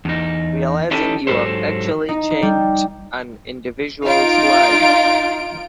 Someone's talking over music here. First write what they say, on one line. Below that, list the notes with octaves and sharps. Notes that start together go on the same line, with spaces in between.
Realizing you've actually changed an individual's life.
E2 D#4
C#4 D#4 E4 G4 A4
G#2 D#3 F#3 G4 A4 C5
D#4
G3
D#4 F4 D7